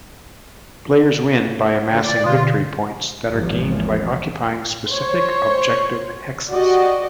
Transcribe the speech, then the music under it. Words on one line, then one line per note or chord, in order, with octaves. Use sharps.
Players win by amassing victory points that are gained by occupying specific objective hexes.
D2
D5
B2 D3 F4 G4
G#1 D#2 G#2 E3 F3
C5 C#5
F#4 G4 D5 D#5